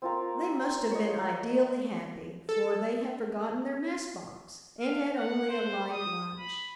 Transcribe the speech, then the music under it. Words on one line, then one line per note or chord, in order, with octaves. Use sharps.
They must have been ideally happy, for they had forgotten their mess-box, and had only a light lunch.
C4 F4 A#4
C#5 D#5
A#5
A4
F5
F#5
C5
D#6
B5